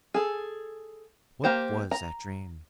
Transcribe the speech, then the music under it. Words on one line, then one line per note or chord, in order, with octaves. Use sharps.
What was that dream?
G#4 A4
A#3 G4 C5
A#5